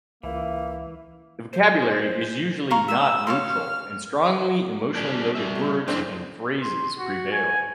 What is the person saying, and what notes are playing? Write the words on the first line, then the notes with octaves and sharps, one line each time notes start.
The vocabulary is usually not neutral, and strongly emotionally loaded words and phrases prevail.
C#2 E3 A#3 E5
C5
F5 A#5 C#6
E6
C#5 F5 C6 F6
G3 C#4 D4
G3 E5
A3
F#1 F#2 E3 C4 D4 C5
C6
F#4
G#5